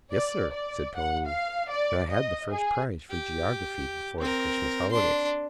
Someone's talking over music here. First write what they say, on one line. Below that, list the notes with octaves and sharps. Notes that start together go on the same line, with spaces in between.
"Yes, sir," said Toline; "and I had the first prize for geography before the Christmas holidays."
D5
D5
F#5
F5
D5
D#5
G#4
G4
C4 A#4
D4 C6